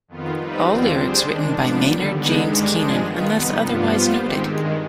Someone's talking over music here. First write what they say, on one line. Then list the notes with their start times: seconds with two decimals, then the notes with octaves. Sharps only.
All lyrics written by Maynard James Keenan, unless otherwise noted.
0.08 F2 D#3 B3 F4
0.37 G3 C4 D#4 B4
0.66 D#2 D3 F3 C4 F4
0.96 G3 D4 G#4 C5
1.25 D#3 G#3 D4
1.55 G#2 F3 B3 D4
1.84 D#2 D3 G3
2.14 D3 G#3 B3 D#4
2.43 G2 D#3 G#3 D4 G4
2.72 G2 F3 G#3 D4 G#4
3.02 D#3 B3 F4
3.31 F2 C3 G3 B3 D#4
3.60 G2 F3 B3 D4 F4
3.89 G3 B3 F4 C5
4.19 G#2 D#3 G#3 C4 G4
4.48 G2 D#3 G#3